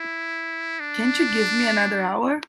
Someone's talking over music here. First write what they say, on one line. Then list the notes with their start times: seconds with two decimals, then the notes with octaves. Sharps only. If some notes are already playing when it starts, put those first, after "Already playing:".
Can't you give me another hour?
Already playing: E4
0.80 D4